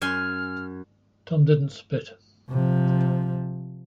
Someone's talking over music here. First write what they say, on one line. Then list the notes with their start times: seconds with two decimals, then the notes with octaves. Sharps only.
Tom didn't spit.
0.02 F#2 G#5 C6 F6
2.49 C3 F3